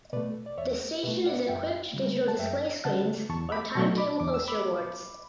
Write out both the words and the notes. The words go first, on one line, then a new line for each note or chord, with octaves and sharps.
The station is equipped digital display screens or timetable poster boards.
B2 A3 B4 D5
D5
E2 C#5 E5
B2 A3 G4 B4
D5 F#5
F#2 E5 G5
C#3 G3
A5
F#2 E5 G5
C#3 G3 F#5 A5
E2 A5 C#6
B5 D6
B2 F#3 A3 A5 C#6
B5 D6
E2 D6
E6
B5 D6